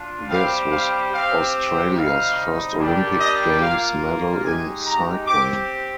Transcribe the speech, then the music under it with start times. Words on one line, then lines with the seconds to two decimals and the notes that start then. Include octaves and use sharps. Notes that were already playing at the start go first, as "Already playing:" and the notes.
This was Australia's first Olympic Games medal in cycling.
Already playing: D4 F4
0.29 G3 C4 G4 F5
0.70 F5
1.12 C4 G4 F5
1.95 G3 C4 D#4 F5
2.78 G3 A#3 D4 G4
3.20 D#5
3.62 A#3 F4 F5
4.44 G#3 D#4 G4 G#5
4.86 A#5
5.27 C4 G4 D6